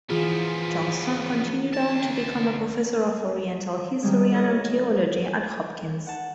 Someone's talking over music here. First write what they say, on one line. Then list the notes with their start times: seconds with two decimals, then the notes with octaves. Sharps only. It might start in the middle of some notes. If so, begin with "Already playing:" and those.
Johnston continued on to become a Professor of Oriental History and Archaeology at Hopkins.
0.10 E3 F3 B3 F4 G#4
1.73 D2 A5
4.03 D#3 G3 G#3
4.31 E4 A4 A#4 C#5 D#5
6.07 F#5 A5